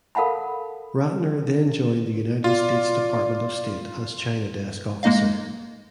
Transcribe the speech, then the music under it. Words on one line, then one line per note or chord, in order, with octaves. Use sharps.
Ratner then joined the United States Department of State as China desk officer.
A4 A#4 F5 F#5 A5 B5
F4 D5
G#3 A#3 D#4 D#5 F5